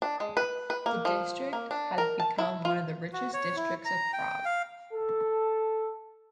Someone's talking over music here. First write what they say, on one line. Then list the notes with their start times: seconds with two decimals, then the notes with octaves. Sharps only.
The district has become one of the richest districts of Prague.
0.02 D4
0.20 G#3
0.37 B4
0.70 B4
0.86 A#3
1.05 F3
1.53 A#3
1.71 D4
1.98 A#4
2.20 A5
2.38 E4
2.65 F4
3.13 F#4
3.33 C#5
3.57 E4
3.85 A#5
4.13 G5
4.45 F5
4.93 A4